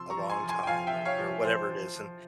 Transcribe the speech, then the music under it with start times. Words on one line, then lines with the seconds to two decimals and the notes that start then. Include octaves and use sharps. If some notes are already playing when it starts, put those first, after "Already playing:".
a long time or or whatever it is, and,
Already playing: C3 F3 C6 E6
0.10 A#5 C#6
0.16 F3
0.30 G#5 C6
0.43 F3
0.49 G#5 C6
0.63 G5
0.67 F3 F5 G#5
0.87 E5 G5
0.93 F3
1.05 C#5 F5
1.19 F3
1.44 F3 C5
1.69 F3
1.95 F3